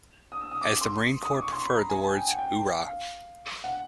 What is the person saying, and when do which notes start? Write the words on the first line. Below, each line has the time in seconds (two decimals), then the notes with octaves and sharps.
As the Marine Corps preferred the word Oohrah!
0.32 D#6
0.41 E6
0.51 D#6
0.61 D6
0.72 D6
0.81 C6
1.23 D#6
1.32 D6
1.42 C#6
1.53 C6
1.62 B5
1.75 A#5
1.90 G#5
2.03 G#5
2.15 G5
2.28 F#5
2.39 G5
2.83 F5
3.64 F#5